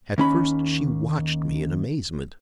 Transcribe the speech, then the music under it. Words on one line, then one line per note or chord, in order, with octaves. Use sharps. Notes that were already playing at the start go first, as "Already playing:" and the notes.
At first she watched me in amazement.
D#2 C#4 B5